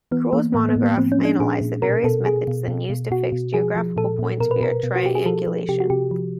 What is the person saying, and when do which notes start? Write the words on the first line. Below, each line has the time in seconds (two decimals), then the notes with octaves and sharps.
Crul's monograph analyzed the various methods then used to fix geographic points via triangulation.
0.11 E3 B3
0.33 E3 A#3
0.54 A2 A#3
0.69 B3
0.76 A2
0.83 A#3
0.97 F3 C4
1.12 C#4
1.19 F3
1.25 D4
1.40 A#2 G#4
1.61 A#2
1.82 B2 A#4
2.04 B2 A4
2.25 B2 G#4
2.47 B2
2.68 B2
2.90 B2
3.11 B2 F#4
3.32 B2
3.54 F3 G#4
3.76 F3
3.96 A#2 A4
4.19 A#2
4.40 B2 A#4
4.51 B4
4.61 B2 A#4
4.83 B2
4.96 F#4
5.04 B2 G4
5.15 G#4
5.26 F3 A4
5.47 F3
5.69 C3 G4
5.80 F#4
5.90 C3 G4
6.11 F3